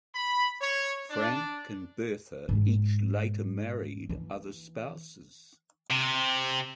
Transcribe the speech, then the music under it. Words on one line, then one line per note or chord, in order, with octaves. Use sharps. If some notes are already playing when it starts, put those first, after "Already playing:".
Frank and Bertha each later married other spouses.
B5
C#5
D4
G#2 G#3
E3 A#3
C3